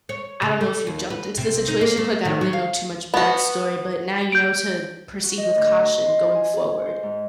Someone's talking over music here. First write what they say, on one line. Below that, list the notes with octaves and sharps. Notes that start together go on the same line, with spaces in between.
I don't know if you jumped into the situation quick, I don't really know too much backstory, but now you know to proceed with caution going forward.
C#5
C#3
A3
D#2
B4
C3
D#4
A#3
A3
D#3
F#3
F5
B3 F#4
G6 D7
F#4
D#5
D2
D#5
C6
G#5
G#4
C5
G#2